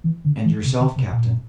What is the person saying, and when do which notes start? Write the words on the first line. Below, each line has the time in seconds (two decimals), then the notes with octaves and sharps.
"And yourself, captain?"
0.04 E3
0.25 D3
0.45 E3
0.64 C3
0.80 D3
0.96 C3
1.11 A#2